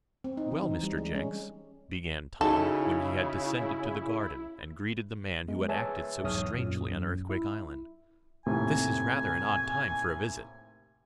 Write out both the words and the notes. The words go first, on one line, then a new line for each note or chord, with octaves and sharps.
"Well, Mr. Jenks," began Tom, when he had descended to the garden, and greeted the man who had acted so strangely on Earthquake Island, "this is rather an odd time for a visit."
C4
D#4
E3
D#4
G3
G#3
C#4
C#3 D#4 E4 F#4 G#4 A4
G#3 B3
G#4 B4 C#5 E5 G#5 A5
B1 E2 G#2 C#5 D#6 F6
F#2 A#2
F#2
E4
D#2 A2 C3 G#5